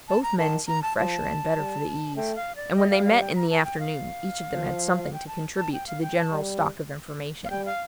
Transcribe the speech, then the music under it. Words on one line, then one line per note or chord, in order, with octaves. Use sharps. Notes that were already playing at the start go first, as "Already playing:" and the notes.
Both men seemed fresher and better for the "easy," and when they met in the afternoon each of them had something to contribute to the general stock of information.
A5
A#5
D#3 A5
A#5
A5
F3 A5
G3
A3 G5
F5
D5
G3 D#5
F5
F5
F5
G5
A#5
A5
G5
F5
F3
G5
A5
A5
G5
F5
G5
A5
G3
F5
G3 G5
F5